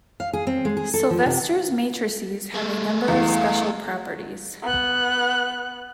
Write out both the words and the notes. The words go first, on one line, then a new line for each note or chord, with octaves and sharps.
Sylvester's matrices have a number of special properties.
F5
G#4
C4
G#3
G#4
A4
F3
C3
A3 G#4
E2 E3 F5
B3 F#6